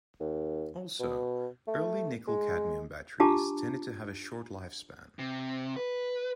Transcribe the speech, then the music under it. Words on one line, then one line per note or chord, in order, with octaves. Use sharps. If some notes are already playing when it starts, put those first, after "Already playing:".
Also, early NiCad batteries tended to have a short lifespan.
D#2
B2
A3
G#3
D4 F4 G4 A5 A#5 D6
C3
B4